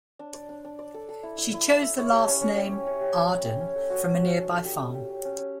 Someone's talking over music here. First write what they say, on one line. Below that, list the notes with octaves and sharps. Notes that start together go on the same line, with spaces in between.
She chose the last name, "Arden", from a nearby farm.
D4
D5
D4
D4
D5
A4
A4
E4
E4
E4
E4
E5
C#5
G4
C#4
C#4
G4
C#5
C#4
G4
C#5
C#4
G4
C#4
A4
F#4
A4
F#4
D4
A4
G4
C#4
G4
C#4
C#4
C#4